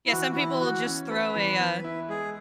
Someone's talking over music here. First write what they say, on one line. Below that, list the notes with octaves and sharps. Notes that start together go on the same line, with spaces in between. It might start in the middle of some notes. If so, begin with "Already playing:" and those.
Yeah, some people just throw a, uh,
E4
E3 F#4
F#4
E3 E4
E3 F#4
C#4
B3 B4
E3
B3
E4
G#3 G#4